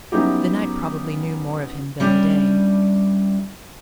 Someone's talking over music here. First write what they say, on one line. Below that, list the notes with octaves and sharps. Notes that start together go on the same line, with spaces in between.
The night probably knew more of him than the day.
F#3 B3 C#4 D#4 E4 G4
G3 C#4 D4 E4